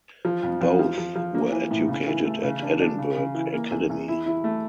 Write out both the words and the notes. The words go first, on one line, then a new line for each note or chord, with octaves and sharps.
Both were educated at Edinburgh Academy.
F3
F2
F2
F3
F3
F3
A#3
E3
A2
C#3
E3
A3
C#3
D4
D4
C#3
C#3
E3
A#3
E2
E2
E4
E4
A3